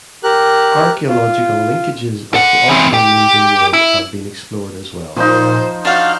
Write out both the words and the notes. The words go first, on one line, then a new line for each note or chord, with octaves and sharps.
Archaeological linkages of the Austronesian world have been explored as well.
G4 A#4 F#6
F4
A4 F#5
E3 C4
G4
E4
A#2 F3 D#4 C5
D4 F#4 F5 F6 G6